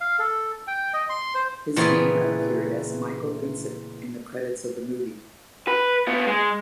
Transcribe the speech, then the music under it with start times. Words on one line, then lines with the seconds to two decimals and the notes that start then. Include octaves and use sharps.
His name appeared as Michael Vincent in the credits of the movie.
0.01 F5
0.19 A4
0.67 G5
0.94 D#5
1.09 C6
1.35 C5
1.76 A#2 C#3 E3 B3 C4
5.68 B4
6.07 B3 F4
6.27 G#3